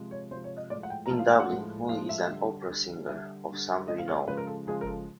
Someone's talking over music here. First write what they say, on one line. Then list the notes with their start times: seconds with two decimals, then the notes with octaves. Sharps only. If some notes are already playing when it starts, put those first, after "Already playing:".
In Dublin, Molly is an opera singer of some renown.
Already playing: C3 F3 G#3
0.11 C#5
0.31 C3 F3 G#3 C5
0.44 C#5
0.57 D#5
0.70 A2 F3 G#3 D5
0.83 F#5
0.90 G5
1.06 A#5
1.09 A2 F3 G#3 A5
1.19 F5
1.29 G5
1.40 F#5
1.49 A2 F3 G#3
1.89 A2 F3 G#3 F5
2.09 E5
2.29 D3 G3
2.69 D3 G3
3.08 D3 G3 E5
3.47 D3 G3
3.88 C#3 F3 G#3 D#5
3.98 F5
4.08 C#5
4.27 C#3 F3 G#3 B4
4.37 A#4
4.47 A4
4.67 C#3 F3 G#3 G#4
4.81 A#4
4.87 A4